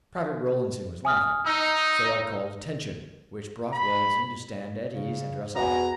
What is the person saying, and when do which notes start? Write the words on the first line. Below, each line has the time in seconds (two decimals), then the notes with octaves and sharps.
Private Rollinson was laughing, so I called "Attention!" which brought Rollinson to stand at ease and dress up.
1.05 G#5 D#6 F6
1.46 D#4 E6
3.72 B5
4.91 C#3
5.56 E2 F#4 B4 G#5 A#5